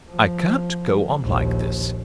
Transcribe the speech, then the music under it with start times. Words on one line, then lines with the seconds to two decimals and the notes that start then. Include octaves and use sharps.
I can't go on like this.
0.11 F3
1.23 A#1 D#2